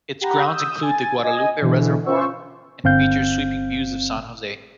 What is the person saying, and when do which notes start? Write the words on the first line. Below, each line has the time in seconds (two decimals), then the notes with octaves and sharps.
Its grounds include the Guadalupe Reservoir and features sweeping views of San Jose.
0.21 G4 F#5 A#5 B5 G6
0.45 D#6 E6 G6
0.82 G#5 A6
1.22 D#5 G#5
1.61 B2 D3 E3
2.06 C#4 F4 C5 C#6 E6
2.84 G1 C4 F5 G6